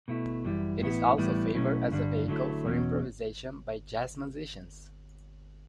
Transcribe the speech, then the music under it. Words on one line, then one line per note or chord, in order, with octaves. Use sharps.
It is also favored as a vehicle for improvisation by jazz musicians.
B2 A3 E4
F#2 E3 G3 E4
A2 E3 B3 E4
A2 E3 G3 B3 E4
B2 F#3 A3 C#4 E4
G2 D3 G3 D4
D3 F#3 A3 E4
E2 B2 F#3 C#4